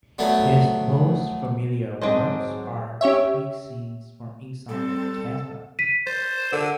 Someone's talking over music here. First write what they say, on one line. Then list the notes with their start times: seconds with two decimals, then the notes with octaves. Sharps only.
His most familiar works are street scenes from inside the Casbah.
0.18 F#3 A3 B3 D4
2.02 G#2 F#3 G#3 C4 D4 C5 D#5
3.01 C#4 G4 C#5 E5
4.69 G3 C4 A4
5.79 B6 D#7
6.07 C5 A6
6.52 D3 A#4